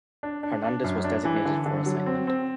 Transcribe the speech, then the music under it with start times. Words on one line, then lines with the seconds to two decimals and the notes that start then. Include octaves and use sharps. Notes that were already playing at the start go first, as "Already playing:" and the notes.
Hernandez was designated for assignment.
0.23 D4
0.43 D4
0.64 D4
0.84 F#2
1.04 D4
1.25 E3
1.45 D3
1.66 D3
1.86 F#3
2.06 C4
2.27 C4